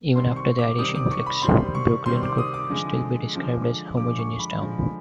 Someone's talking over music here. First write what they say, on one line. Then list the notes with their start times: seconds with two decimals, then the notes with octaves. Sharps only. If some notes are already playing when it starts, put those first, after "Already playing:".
Even after the Irish influx, Brookline could still be described as a homogeneous town.
0.16 C3 D#3 G3 C4 C6
0.36 C#6
0.58 D6
0.79 C3 D#3 G3 C4 D#6
0.95 D6
1.11 C#6
1.26 B5
1.42 C3 D#3 G3 C4 C6
1.75 C#6
2.06 C3 D#3 G3 C4 C6
2.23 D6
2.38 D#6
2.54 D6
2.70 D3 F3 G#3
3.33 D3 F3 G#3
3.97 D3 F3 G#3 D6
4.19 C#6
4.39 B5
4.61 D3 F3 G#3